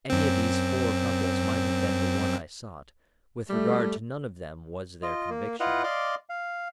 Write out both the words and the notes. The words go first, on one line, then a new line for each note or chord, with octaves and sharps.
Any of these four couples might have been the one I sought; with regard to none of them was there conviction.
F#2 C4
G3 A3
F4 D#5
A#3
E4 F4 B4 D#5 F5 F#5
D5 D#5 F5 C6 D6
F5